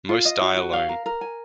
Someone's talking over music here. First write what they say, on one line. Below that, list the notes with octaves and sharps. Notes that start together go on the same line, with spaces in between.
Most die alone.
F4
D#5
F#4
F#4
F5
A#4
A#4
G#5